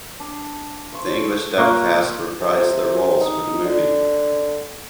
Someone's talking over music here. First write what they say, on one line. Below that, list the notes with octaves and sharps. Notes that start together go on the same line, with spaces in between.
The English dub cast reprised their roles for the movie.
D4
C5 C#6
A#3 F4 F5 C#6 F#6
C3
D#4
D3